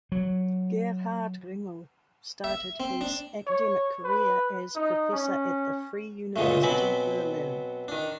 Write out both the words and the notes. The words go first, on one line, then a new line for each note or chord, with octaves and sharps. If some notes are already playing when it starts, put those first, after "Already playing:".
Gerhard Ringel started his academic career as professor at the Free University Berlin.
F#3
E5
C4
D4
C#5
B4
D#4
C#4
C#2 F#2 A#2 D3 G#3 A3
B2 F#3 C4 G#5 B5 D6
D#3 D4